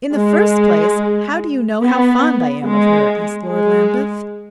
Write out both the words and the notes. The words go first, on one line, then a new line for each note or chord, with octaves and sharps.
"In the first place, how do you know how fond I am of her?" asked Lord Lambeth.
G#3
B3
G#3
G#3